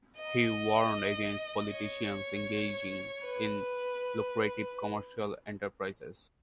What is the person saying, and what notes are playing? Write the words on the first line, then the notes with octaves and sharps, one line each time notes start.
He warned against politicians engaging in lucrative commercial enterprises.
D#5
C#5
B4